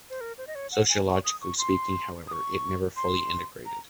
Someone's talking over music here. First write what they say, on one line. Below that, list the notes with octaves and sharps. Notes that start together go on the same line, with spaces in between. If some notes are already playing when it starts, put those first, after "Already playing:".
Sociologically speaking, however, it never fully integrated.
C5
A#4
C5
D#5
C#5
F#5
G#5
C#6
D#6
C#6
C6
D#6
C#6
C6
A#5